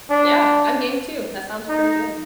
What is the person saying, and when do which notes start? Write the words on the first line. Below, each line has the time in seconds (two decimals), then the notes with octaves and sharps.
Yeah, I'm game too. That sounds pretty good.
0.10 D4
1.68 D#4